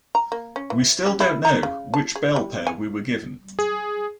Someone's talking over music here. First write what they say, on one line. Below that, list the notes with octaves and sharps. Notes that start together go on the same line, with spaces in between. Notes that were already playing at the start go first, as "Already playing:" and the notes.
We still don't know which Bell pair we were given.
A#5
A#3
C#4
E3
C#4
E4
A#5
C#3
A5
G#4
G3
G#5
G#4